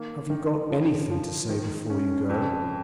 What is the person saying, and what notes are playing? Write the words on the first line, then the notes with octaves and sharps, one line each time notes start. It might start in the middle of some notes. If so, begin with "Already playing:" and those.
"Have you got anything to say before you go?"
Already playing: D#3 A#3
D#3
F3
F3
D#3
C#4
F2